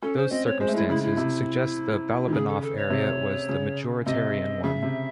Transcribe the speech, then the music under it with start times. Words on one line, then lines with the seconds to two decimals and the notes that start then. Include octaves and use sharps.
Those circumstances suggest the Balabanoff area was the majoritarian one.
0.02 C#4 A4
0.17 C5
0.31 C4 D#5
0.45 C#5
0.60 G#3 C5
0.68 A3
0.75 G#3 E4
0.89 C#3 E4
1.03 E4
1.17 C3
2.28 D#3
2.33 C#3 G#4
2.48 A4
2.62 A4
2.77 C#5
2.90 C3
3.49 C#3
4.06 C3 D#5
4.64 C#3 E5
4.82 C3